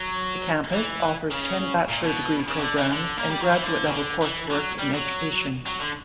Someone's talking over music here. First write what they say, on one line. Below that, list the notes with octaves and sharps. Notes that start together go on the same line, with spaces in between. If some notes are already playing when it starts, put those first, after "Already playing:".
The campus offers ten bachelor degree programs and graduate level coursework in education.
Already playing: F#3
E3
C#3
A#2
B2
C#3
E3
D3
E3
D3
A#3
G3
F#3
E3
D3
C#3
D3
E3
F#3
G3
F#3
F#3
D3